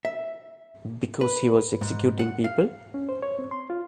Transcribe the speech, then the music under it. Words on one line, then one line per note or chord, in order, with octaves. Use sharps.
Because he was executing people?
E5
B4
G#2
F#5
F5
C#4
C5
C#5
C4
C6
F4